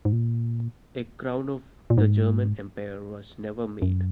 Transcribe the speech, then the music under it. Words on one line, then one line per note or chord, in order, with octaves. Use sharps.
A Crown of the German Empire was never made.
G#2
A#2
A#2
G#2
F#2